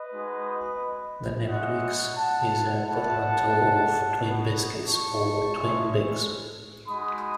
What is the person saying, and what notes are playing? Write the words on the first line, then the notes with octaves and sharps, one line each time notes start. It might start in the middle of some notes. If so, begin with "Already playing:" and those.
The name Twix is a portmanteau of twin biscuits, or 'twin bix'.
Already playing: B4 D#5
G#3 D#4 F#4
G#3 C#4 E4 D#5 F#5
F#5 A5
A3 E4 F#5 A5
B3 D#4 F#4
A5 C#6
G#3 C#4 E4
G#3 D#4 F#4 B5 D#6